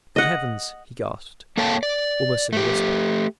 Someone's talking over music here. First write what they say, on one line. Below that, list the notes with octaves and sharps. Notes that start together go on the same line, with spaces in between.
"Good Heavens!" he gasped, almost in a whisper.
D#5 F#5
A#3 A4 C#5 F5 G5 A5
D5
A3 G4